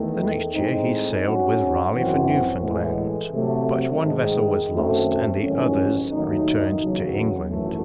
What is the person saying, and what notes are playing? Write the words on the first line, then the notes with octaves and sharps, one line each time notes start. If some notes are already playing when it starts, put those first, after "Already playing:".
The next year he sailed with Raleigh for Newfoundland, but one vessel was lost and the others returned to England.
Already playing: E2 D#3 A3
A2 G#3 C4 D#4
G#2 F#3 C#4 F#4
G#1 F#2 E3 C4 F#4
A2 E3 G#3
C3 F#3 A3
G#2 D#3 G#3
F#2 D#3 F#3 A3 C4
A1 G#2 D#3 F#3 C#4
D#2 D#3 F#3 A3 D#4
E2 C#3 F#3
G#1 F#2 E3 A3